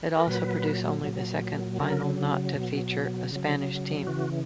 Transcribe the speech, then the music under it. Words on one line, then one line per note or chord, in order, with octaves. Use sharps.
It also produced only the second final not to feature a Spanish team.
A#4
A#2 F#3 B4
A#2 F#3
C#3 F#3 A#4
B2 F#3
C#3 F#3
C#3 E3 F#4